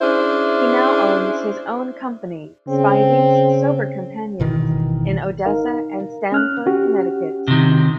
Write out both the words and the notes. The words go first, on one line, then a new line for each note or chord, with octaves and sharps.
He now owns his own company, Spivey's Sober Companions, in Odessa and Stamford, Connecticut.
C#4 D4 E4 G#4 C5
C#3 C4
G#1 B2 D#3 E3
D#4 A#4 F5
C#4 F6 F#6
C#4 F#4 G4
C3 D#3